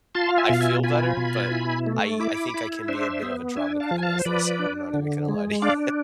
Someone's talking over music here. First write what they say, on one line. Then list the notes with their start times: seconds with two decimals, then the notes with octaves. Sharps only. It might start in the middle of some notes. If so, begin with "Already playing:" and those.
I feel better, but I I think I can be a bit of a drama queen as they say. I'm not even gonna lie to you.
0.15 F4 A5 C6
0.29 F5
0.38 E5 G#5
0.50 B2 F5
0.60 E5 G#5
0.83 F4 G#5 B5
1.17 B2
1.51 E4
1.87 A3
2.20 E4 B5 D6
2.54 E4
2.88 D4 C5 E5
3.23 B3
3.56 D4 E5 G#5
3.80 F5 A5
3.91 F3
3.98 G#5
4.02 F5 A5
4.19 C5
4.25 F3 B4 D5
4.59 D4
4.94 D3
5.28 G#3
5.62 D4 D5 F5